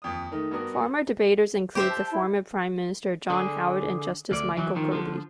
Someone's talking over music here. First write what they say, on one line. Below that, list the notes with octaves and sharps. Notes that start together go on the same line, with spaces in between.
Former debaters include the former Prime Minister John Howard and Justice Michael Kirby.
D#1 F2 D#6
D#3 A3 D#4
G2 B3 F#4 A#4 D#6
G4 C5 E5
A5
E4
D3 G#4
D2 D5
E3 F#3
D#3 F3
D3 F3